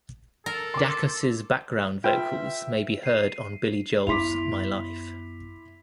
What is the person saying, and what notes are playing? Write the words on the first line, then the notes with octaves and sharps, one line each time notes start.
Dacus' background vocals may be heard on Billy Joel's "My Life".
A4 A#4
C6 D6
F4 B4 E5 G5 C6
C7 D#7
F#2 B3 E4 C6 D6 B6 F7